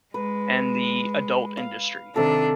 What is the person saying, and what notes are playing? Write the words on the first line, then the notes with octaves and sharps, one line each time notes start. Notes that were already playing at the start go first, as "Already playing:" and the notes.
and the adult industry,
G#3 B4
F5
C3 D#3 D4 A4